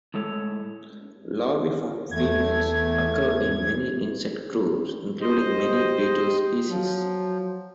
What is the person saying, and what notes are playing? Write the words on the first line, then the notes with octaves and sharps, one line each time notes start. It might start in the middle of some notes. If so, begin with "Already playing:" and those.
Larviform females occur in many insect groups, including many beetle species.
A2 G#3 A4 C#5
E2 A3 G#6
G4 C5 D#5
F3 F#3